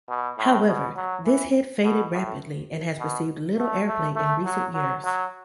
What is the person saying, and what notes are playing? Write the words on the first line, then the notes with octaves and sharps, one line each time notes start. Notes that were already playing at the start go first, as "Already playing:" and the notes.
However, this hit faded rapidly and has received little airplay in recent years.
B2
A2
B2
F#3
E3
B2
A2
B2
A3
A3
A3
F#3
F#3
F#3